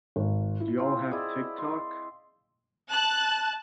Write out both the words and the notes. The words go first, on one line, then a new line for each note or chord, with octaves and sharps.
Do y'all have TikTok?
G#1
E4
C4 F4
E4 G#4 D5 D#5
C6
A5 F#6